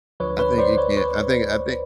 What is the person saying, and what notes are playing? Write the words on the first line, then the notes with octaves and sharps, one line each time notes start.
I think it can I think I think,
D2 D3 F3 B4 C#5
B4 C#5
C5 D5
B4 C#5
B4 C#5